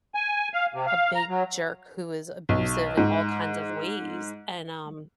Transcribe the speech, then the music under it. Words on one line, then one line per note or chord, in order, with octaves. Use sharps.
a big jerk who was abusive in all kinds of ways, and, um,
G#5
F5
C3
F5
A#5
F#3
B1
G#2